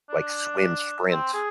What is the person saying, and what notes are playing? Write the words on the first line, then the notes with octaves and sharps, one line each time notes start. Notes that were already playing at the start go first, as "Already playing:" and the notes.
like swim sprint
D4
C4
G#4